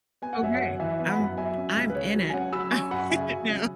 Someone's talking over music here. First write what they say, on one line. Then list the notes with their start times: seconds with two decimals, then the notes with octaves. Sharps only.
Ok. I'm I'm in it. I'm in it now.
0.22 B3 G#5
0.33 F#5
0.41 F#2 E5
0.54 C#5 F#5
0.60 F#2
0.80 E3 E5 G#5
0.99 B3
1.09 F#5 B5
1.18 F#2
1.37 F#3 E5 G#5
1.57 C#4
1.76 C#2
1.90 B4
1.95 C#3 C#5
2.14 F#3
2.30 G#5
2.33 C#4 C#5 F#5
2.53 F#3 B5 E6
2.72 C#4 G#5 C#6
2.91 F#2 F#5 B5
3.10 C#3 E5 G#5
3.29 F#3
3.49 C#4